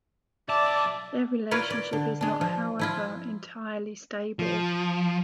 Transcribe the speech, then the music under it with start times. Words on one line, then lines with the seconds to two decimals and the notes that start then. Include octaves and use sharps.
Their relationship is not, however, entirely stable.
0.49 B1 D5 E5 A5
1.51 E4 F4 A#4 B4 C#5 D5
1.70 D5
1.93 D3
2.21 G#3 D4
2.41 F3
2.79 F3 E4 F4
4.39 F3